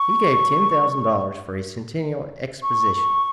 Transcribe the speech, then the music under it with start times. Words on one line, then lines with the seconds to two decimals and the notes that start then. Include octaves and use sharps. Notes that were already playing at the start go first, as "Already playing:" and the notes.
He gave ten thousand dollars for a Centennial Exposition.
Already playing: C#6
2.62 C#6